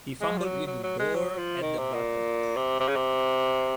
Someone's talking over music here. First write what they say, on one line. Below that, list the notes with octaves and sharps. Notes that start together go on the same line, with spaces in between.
He fumbled with the door at the bottom.
G#3
F3
F#3
F#3
F#3
G#3
F#3
F3
D#3
C3
A#2
C3
C3
C#3
C3